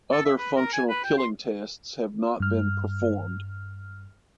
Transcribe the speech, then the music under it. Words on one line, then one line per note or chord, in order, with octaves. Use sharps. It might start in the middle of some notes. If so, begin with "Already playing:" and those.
Other functional killing tests have not been performed.
A4
E5
B4
A#4
G#5
B4
G5
C6
G2 F6